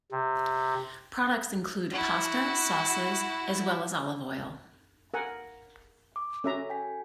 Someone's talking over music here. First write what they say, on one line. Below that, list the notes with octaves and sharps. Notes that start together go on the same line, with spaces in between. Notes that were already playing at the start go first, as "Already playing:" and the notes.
Products include pasta, sauces, as well as olive oil.
C3
E4 F#4
A#4 F#5 G#5
D6
C#4 F#4 A4 E5 A#5
G5 G#5 B6